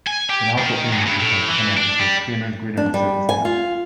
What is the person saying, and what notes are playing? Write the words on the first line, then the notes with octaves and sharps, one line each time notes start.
It also aims to turn Penang into a cleaner, greener and safer state.
G#5
G4
D#3
G2
A2
E3
D4
G3
D4
G3
G#5
F4